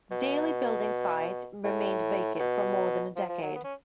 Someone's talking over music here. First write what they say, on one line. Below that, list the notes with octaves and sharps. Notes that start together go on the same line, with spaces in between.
The Daly Building site remained vacant for more than a decade.
B2
A2
A2
B2
F3
F3
F#3
B3
C#4